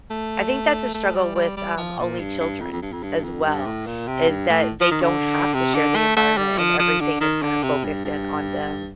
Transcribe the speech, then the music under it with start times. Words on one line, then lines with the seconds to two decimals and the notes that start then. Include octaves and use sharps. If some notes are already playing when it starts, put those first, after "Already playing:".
I think that's a struggle with, um, only children as well is that they don't have to share the environment and everything is kinda focused in on them.
0.10 A3
0.94 A3
1.15 G3
1.35 G3
1.57 G3
1.77 F3
1.98 A#2
2.20 G2
2.40 G2
2.61 F2
2.72 F2
2.82 G2
2.93 F2
3.03 G2
3.24 F2
3.45 G2
3.66 A2
3.86 A#2
4.08 C3
4.28 G2
4.49 A2
4.81 F3
4.91 D#3
5.02 D3
5.54 C3
5.75 D3
5.96 A3
6.17 A3
6.37 G3
6.58 F3
6.79 F3
7.00 D3
7.21 D#3
7.42 D3
7.63 C3
7.84 G2
8.05 G2